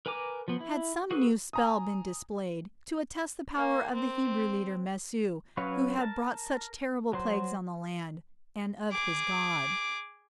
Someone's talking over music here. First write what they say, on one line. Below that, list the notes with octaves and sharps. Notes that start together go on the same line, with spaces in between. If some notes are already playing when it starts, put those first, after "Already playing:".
Had some new spell been displayed to attest the power of the Hebrew leader Mesu, who had brought such terrible plagues on the land,--and of his God.
A#4 B4 G#5 A#5 D6
F3 B3
E4
F#4 G#4 A4 B4 F#6
G#5 A#5 D#6
A#3
C4
F#3 C#4 B4 C#5 F5
A#4 A5
F#3 C5
G#4 D6